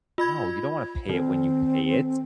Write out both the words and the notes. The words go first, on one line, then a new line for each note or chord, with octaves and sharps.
No, you don't want to pay it when you pay it,
F4 B5 G#6
D#3 C4